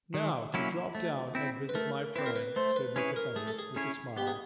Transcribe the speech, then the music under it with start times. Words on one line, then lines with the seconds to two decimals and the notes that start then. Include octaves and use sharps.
"Now to drop down and visit my friend," said Mr. Fenwick, with a smile.
0.14 D#3
0.54 F#3 A#3 C#4 E4
0.95 A3
1.35 C4 E4
1.69 B4
1.75 A3 A#4
2.16 C4 E4 B4
2.26 A#4
2.36 B4
2.56 A3 C5
2.76 B4
2.96 C#4 E4 G#4 B4 C#5
3.16 A#4
3.36 A3 G#4
3.48 A4
3.59 G#4
3.76 C#4 E4 G#4 C#5
4.16 B3 G4
4.27 G#4